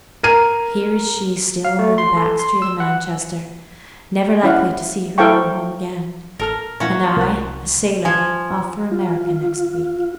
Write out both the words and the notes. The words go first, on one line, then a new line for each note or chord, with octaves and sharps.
Here is she still in a back street o' Manchester, never likely to see her own home again; and I, a sailor, off for America next week.
A#4 D#7
F5
A3
C6
A4
C6
E6
F#5
C#4 E4 F5 F#5
E4 A4 C5 F5 G5 C#6
A1 A4 A#4 F6
A#2 E3 F3 C#4 F#4
C2 A#3 F#5
F3 G#5 G#6
F4